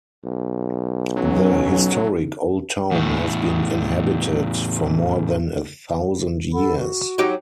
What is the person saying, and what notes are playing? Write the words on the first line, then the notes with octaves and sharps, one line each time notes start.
The historic old town has been inhabited for more than a thousand years.
B1
F#3 C#4
E2 A2
A4 F#5 B5
F#4
F#3 D#4 G4